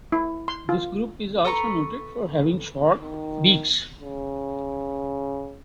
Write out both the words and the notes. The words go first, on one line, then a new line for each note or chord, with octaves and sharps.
This group is also noted for having short beaks.
E4
C6
F4
A4 B4 A#5 C#6
D#3
C#3